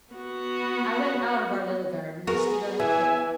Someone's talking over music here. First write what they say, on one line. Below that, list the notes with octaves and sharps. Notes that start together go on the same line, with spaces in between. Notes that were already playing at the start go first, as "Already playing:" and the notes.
I went out of our little garden, and stood on the cliff.
B3 F#4
B3 F#4 G#4 A#4
E3 E5 G#5